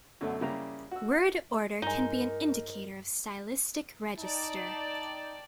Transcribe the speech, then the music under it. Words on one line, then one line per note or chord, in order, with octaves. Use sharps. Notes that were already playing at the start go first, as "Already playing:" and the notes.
Word order can be an indicator of stylistic register.
F#2 B2 D3 A3
C#3 G3 A#3 E4 G4 A#5
F#4 E6
G2 G#3 D#4 A#4 A#5
D#4 D5 G5 A5